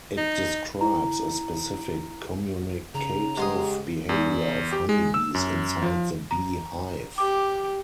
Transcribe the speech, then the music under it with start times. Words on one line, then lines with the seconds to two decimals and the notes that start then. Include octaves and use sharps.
It describes a specific communicative behavior of honey bees inside the bee hive.
0.18 D#4
0.81 E4 A#5
2.95 C#3 A#5
3.38 G#2 G4 C6 D#6
4.09 E2
4.73 G4
4.89 G#3
5.14 E6
5.34 F#2
5.83 F3
6.31 A#5
7.18 G4 D6